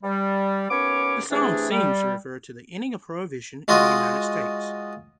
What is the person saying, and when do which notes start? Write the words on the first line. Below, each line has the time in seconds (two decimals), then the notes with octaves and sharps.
The song seems to refer to the ending of Prohibition in the United States.
0.04 G3
0.70 D#2 B3 C#4 C#5 D6
1.31 C3 E3 A3 D4 G#4
1.71 G3
3.68 G#3 F4 F#4 D#5